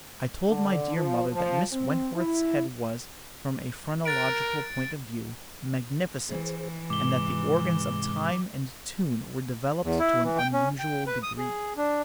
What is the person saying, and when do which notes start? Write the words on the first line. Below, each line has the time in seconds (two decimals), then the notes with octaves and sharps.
I told my dear mother that Miss Wentworth's head was, from a phrenological point of view, magnificent, and that the organs of time and tune were developed to an unusual degree.
0.47 D3
0.96 F3
1.32 F3
1.73 C4
2.14 E4
4.05 A#4 F#6 A6 D7
6.29 E3 G#4 C5
6.90 G#2 C3 G#3 D6 G7
9.84 E2
9.99 E4
10.24 E3
10.38 G5
10.53 C#4
10.79 G5
11.07 B4
11.23 D#6
11.38 G#4
11.77 D4